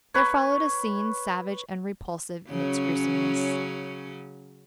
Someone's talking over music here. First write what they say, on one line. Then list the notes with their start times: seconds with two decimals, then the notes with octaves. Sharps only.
There followed a scene savage and repulsive in its gruesomeness.
0.14 B4 C#5
2.50 C#3 F#3 C#4